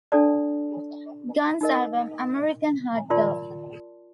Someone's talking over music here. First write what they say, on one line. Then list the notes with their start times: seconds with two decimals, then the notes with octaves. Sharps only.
Guns album "American Hardcore".
0.12 D4 A4 D5 A5
1.61 D#4 A#4 D#5
3.10 F4 A#4 D5 A5 C6